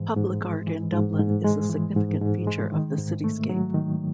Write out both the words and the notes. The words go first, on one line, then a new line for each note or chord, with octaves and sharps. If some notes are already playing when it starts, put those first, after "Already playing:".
Public art in Dublin is a significant feature of the cityscape.
Already playing: G#2 E3
G#2
G#3
E3
G#2
G#2
G#3
E3
G#2
G#2
G#3
D#3
G#2
A3
F#3
D#3